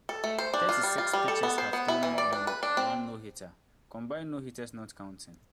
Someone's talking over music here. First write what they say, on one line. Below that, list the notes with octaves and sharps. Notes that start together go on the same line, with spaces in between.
Thirty-six pitchers have thrown more than one no-hitter, combined no-hitters not counting.
A4
A3
C5
D4
F4
G3
F4
G3
A4
B3
C5
B3
E4
E3
D5
D4
B4
D4
C4